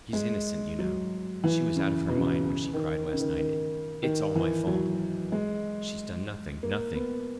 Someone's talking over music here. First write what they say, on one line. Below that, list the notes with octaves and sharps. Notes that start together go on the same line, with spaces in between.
She's innocent, you know, she was out of her mind when she cried last night 'It's all my fault!' She's done nothing, nothing!
G#3
F#3
E3
C#3
B2
C#3
B2
C#3
D#3
D#3
C#3
D#3
D#3
D#3
E3
F#3
G#3
A#3
B3